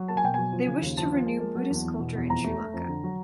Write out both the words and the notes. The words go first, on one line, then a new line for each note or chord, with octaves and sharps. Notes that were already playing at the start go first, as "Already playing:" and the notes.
They wished to renew Buddhist culture in Sri Lanka.
Already playing: F#3
A#3 A5
G#5
B2 G5
F#3 G#5
F3
C#3
D#2
F3 A5
F3
G#3
A#3
F#3
E2
E2
B2
E2
F2 A#5
A3
A3
F2
D3
F#3